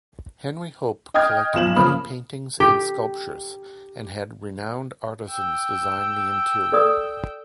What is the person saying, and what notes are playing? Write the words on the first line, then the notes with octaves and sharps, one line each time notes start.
Henry Hope collected many paintings and sculptures and had renowned artisans design the interior.
D#5 G5 D#6 F6 G#6
B1 F3 E7 F#7
C#3 F3 A#3 B5 D#6 F6
G4
G5 E6
A4 D5 D#6